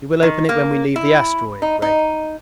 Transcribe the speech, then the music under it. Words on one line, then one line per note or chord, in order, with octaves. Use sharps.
We will open it when we leave the asteroid, Gregg.
D#3
A#3
E4
D#4
D#4